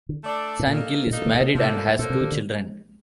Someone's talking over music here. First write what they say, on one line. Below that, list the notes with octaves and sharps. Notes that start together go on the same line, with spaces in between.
San Gil is married and has two children.
D3
A3 D4 A4 D5
A2
A#2 A#3 D#4 A4
C3
A#2 A#3 D#4 A4
D3
A#2
C3
C3 F3 A#3 D4 A4 C5
A#2 F3 A#3 D4 A4 C5
C3
D3
D3